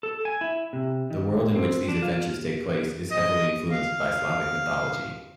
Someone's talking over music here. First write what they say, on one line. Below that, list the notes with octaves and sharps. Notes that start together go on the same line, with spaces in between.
The world in which these adventures take place is heavily influenced by Slavic mythology.
A4
G#5
E4
C3
D#3
C4
D4
F4
D#5
F5